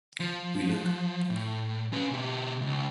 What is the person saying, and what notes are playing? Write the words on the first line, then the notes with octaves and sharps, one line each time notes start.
We look.
F3
A2
C#4 B4
B2 G4
C#2